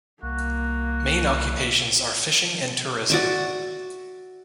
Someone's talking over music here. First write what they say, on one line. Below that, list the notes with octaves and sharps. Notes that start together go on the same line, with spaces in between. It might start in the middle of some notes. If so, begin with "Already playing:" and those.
Main occupations are fishing and tourism.
C2 A#3 F#4
F#4 D5 E5